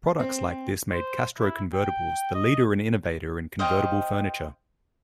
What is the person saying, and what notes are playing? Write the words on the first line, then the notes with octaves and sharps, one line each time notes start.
Products like this made Castro Convertibles the leader and innovator in convertible furniture.
C4
C5
E4
G5
D#5
C5 D#5 F5 G5